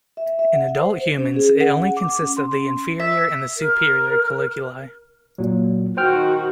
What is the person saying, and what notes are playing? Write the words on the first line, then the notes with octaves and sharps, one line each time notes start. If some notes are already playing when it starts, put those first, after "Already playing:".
In adult humans, it only consists of the inferior and the superior colliculi.
E5
E5
F#5
C5
C#4
G#4
F#5
D6
C#4
C6
E5
A#4
A#2 F#3
D#3 F#4 C5 G5 F6